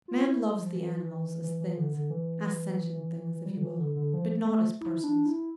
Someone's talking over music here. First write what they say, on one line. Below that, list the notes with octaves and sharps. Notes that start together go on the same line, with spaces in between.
Man loves the animals as THINGS,--as SENTIENT THINGS, if you will,--but not as PERSONS.
F4
E4
F3
E3
E3
E3
D3
D3
E3
G3
D3
E3
D3
D3
F3
A3
E4
D4
E4